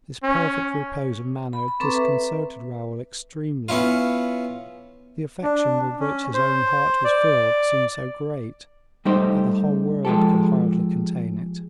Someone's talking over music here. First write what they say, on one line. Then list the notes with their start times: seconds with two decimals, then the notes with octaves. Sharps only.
This perfect repose of manner disconcerted Raoul extremely; the affection with which his own heart was filled seemed so great that the whole world could hardly contain it.
0.24 C#4
1.53 B5
1.68 B5
1.80 C4 A4 B4 A#5 C#6 D6
1.94 B4 E5
3.69 B3 C#4 E4 F4
5.43 D4
6.00 C#4
6.34 C5
7.04 D5
9.05 G3 A3 D#4 G4 C5
10.05 F3 G#3 G4 A4